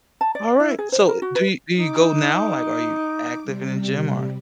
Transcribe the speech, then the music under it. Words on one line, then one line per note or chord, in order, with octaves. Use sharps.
Alright, so i do you do you go now? Like, are you active in a gym? Or
A5
D5
E4
G#4
C5
A#4
F#4
B4
D#4 D6
C3 G3